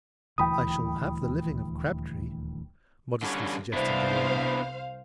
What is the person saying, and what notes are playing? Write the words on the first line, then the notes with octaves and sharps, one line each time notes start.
"I shall have the living of Crabtree," modestly suggested the warden.
D#1 D2 E3 G5 B5 D#6
D3 G3 C#4
C2 B3 D4 E4 C5 F5